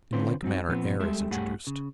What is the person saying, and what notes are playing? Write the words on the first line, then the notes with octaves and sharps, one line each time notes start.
In like manner air is introduced.
D3 C4 C#4 F4 B4 C5
F#3 C4 D#4 F#4
A#2 F3 B3 C4
G3 G#3 G4 A4 E5
G2 A3 G4 G#4 F#5
C#3